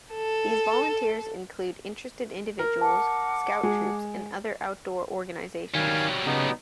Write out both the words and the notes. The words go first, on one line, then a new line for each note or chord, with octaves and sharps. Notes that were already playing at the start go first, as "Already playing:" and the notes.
These volunteers include interested individuals, scout troops, and other outdoor organizations.
A4
A#4
F#5 A5 D6
G#3
D#3 F#3 G3 F5 G#5
C#3 B3 D#4